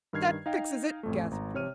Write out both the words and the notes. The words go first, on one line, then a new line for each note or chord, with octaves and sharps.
"That fixes it!" gasped one.
G2 D#3 F6 G#6 C7
D#4 F5 G5 A#6
A1 F2 A3
G#1 A#5
C3 C#5 F6 D#7